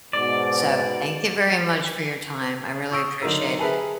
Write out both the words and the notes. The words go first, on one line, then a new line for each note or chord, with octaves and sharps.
So, thank you very much for your time, I really appreciate it.
G#2 B2 D5
C#6 D#6 E6 G6 A#6 D7
D3 F#3 D#4 A#4 A#5 E6
G#4 A#4 B4 E5 G#5 A5